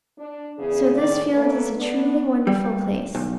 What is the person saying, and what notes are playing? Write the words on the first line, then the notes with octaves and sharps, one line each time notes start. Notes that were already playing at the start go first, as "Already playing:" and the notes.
So this field is a truly wonderful place.
D4
E2 C#3 G#4
A2 D#3 C#4 D5
D3 A3 A#3 B4
B3 D4
G3
B1